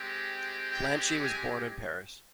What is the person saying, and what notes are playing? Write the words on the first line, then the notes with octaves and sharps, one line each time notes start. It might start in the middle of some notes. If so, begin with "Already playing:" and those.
Blanche was born in Paris.
Already playing: G#3 C4 G4
G5
G#5